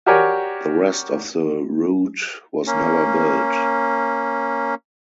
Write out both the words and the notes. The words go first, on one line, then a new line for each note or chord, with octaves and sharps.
The rest of the route was never built.
F#4 G4 A#4 C#5 D5 G#5
A#3 C#4